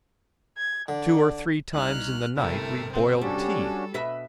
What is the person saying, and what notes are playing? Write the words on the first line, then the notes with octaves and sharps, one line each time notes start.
Two or three times in the night we boiled tea.
G#6
D3 D5
C2 D#4 F6 F#6
G1 C3 A3 E4 A#4
E2 C4 C5
G3 C#4 D4 F#4 A4
B2 B4 E5 B5 B6